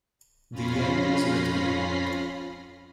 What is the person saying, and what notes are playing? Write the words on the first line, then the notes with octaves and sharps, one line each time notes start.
The End Is Written.
F2 C#4 F4 B5 A#6 C7